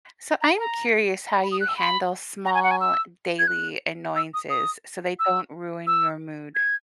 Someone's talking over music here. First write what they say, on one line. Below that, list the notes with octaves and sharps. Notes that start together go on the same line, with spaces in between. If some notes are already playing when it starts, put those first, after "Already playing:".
So, I'm curious how you handle small, daily, annoyances so they don't ruin your mood.
A#5
A#5
B5
D#6
F#6
E6
B5
A#5
G#5
F#5
G#5
E6
G#6
F#6
E6
D#6
D#6
E6
E6
G#6